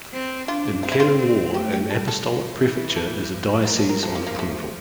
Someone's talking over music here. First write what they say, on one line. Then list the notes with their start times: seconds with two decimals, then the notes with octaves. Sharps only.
In canon law an apostolic prefecture is a diocese on approval.
0.13 C4
0.48 D4 F4
0.83 C4 F4
0.92 E4
1.00 F4
1.54 A3 G4
1.72 G4
1.90 G3 A4
2.08 A4
2.25 F3 F4
2.61 E3
2.96 A4
3.32 F3
3.67 A#4
3.79 A4
3.89 A#4
4.03 F3 A4
4.15 A#3
4.27 A#3
4.39 A3